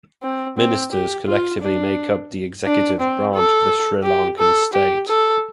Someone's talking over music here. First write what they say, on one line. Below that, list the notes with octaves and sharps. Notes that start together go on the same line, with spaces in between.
Ministers collectively make up the executive branch of the Sri Lankan state.
C4
C4
G4
F4
D4
D4
C4
A4
G4
A4
G4
A4